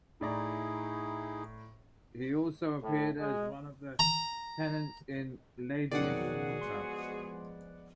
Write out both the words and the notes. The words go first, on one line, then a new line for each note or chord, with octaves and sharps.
He also appeared as one of the tenants in "Lady in the Water".
A2 D#4 E4 G#4 D5 A#5
A2
G#3
A#5
F2 B2 D#3 F#3 F#4 G#4 D5 F#5
F3 G#3 B3 C6